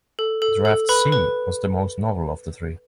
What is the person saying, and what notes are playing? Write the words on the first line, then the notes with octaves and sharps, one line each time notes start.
Draft C was the most novel of the three.
A4
A4
A4
B4 B5
B4